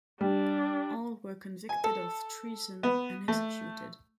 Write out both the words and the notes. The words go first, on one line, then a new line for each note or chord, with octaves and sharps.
All were convicted of treason and executed.
G3 D4
G#5
A4
B3
A3